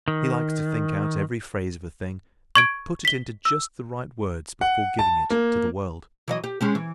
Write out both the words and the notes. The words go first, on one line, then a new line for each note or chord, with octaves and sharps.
He likes to think out every phase of a thing and put it into just the right words before giving it to the world.
D#3
C#6 G#6 D7
B6 G7
E6
F#5
A5
A#3
E3 F#3 D#5
G4
G#3 C#4 G4
E3